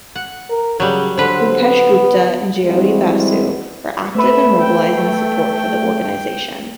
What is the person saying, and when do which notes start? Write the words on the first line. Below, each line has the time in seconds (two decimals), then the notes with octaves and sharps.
Bhupesh Gupta and Jyoti Basu were active in mobilizing support for the organization.
0.15 F#5
0.50 A#4
0.80 C#3 F#3 G3
1.18 D3 B4 C5
1.60 B3
2.66 E3 G3 G#3 C4 E4 F#4
4.15 A3 B3 B4 E5
4.61 G5